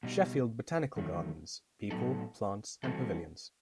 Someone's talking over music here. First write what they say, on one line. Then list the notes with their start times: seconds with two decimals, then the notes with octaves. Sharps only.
Sheffield Botanical Gardens: People, Plants and Pavilions.
0.03 B2 G3 D#4
0.96 E2 D#3 F#3 A3
1.91 A2 F#3 B3 D#4 A4
2.84 E3 G3 C4 F#4 A4